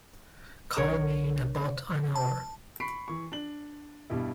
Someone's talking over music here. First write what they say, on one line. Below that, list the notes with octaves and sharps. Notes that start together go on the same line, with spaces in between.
Call me in about an hour.
B1 D4 A#4 C#5
A5
B5 C#6 B6 C7 D7
E3 C#6
D4 F#7
G2 B2 G3 E4